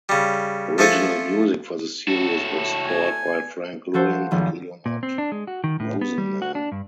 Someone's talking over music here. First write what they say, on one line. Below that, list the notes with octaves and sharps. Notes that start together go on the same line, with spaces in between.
Original music for the series was scored by Frank Lewin and Leonard Rosenman.
C#3 G3
F3 A3 G#4 A4 C5
A2 F#4 A4
G#5
F3 F#4 A4 C5
G#1 F2 G#2 F3
A#2
C4
D4
G#3
F#4
D#3
A2
B3
G3
F#4
D4
G2